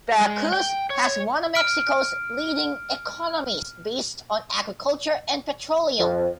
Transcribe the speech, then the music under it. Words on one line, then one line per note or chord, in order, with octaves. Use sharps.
Veracruz has one of Mexico's leading economies, based on agriculture and petroleum.
G#3
G5
C#5
F6 D7
F2